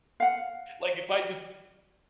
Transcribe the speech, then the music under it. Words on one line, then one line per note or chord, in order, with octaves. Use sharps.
Like, if I just
F5 F#5